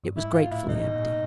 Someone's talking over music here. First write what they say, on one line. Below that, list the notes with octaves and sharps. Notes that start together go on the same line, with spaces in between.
It was gratefully empty.
G2
G#2 E4
F4
A2 E4
D#4
B2
A#2
A2